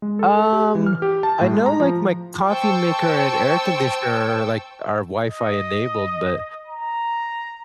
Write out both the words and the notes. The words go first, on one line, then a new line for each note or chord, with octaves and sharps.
Um, I know, like, my coffee maker and air conditioner are, like are Wi-Fi enabled, but
G#3
A4
A4
G4
E3
F6
G4
A5
A2
G#3
A#5
F3
C5 G5 A5 C#6 E6
D#5
A#5